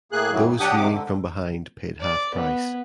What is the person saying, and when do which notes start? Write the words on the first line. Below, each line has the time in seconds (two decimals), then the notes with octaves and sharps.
Those viewing from behind paid half price.
0.12 A2 A#3 G#4 F#6
0.31 F#2 A2 D#3 E3 F#3
0.45 A#2
0.60 F#3 D4 G4 F#5 G5 D#6
0.76 G#2 C3 D#3 D6
0.92 D3
2.01 D5
2.35 B3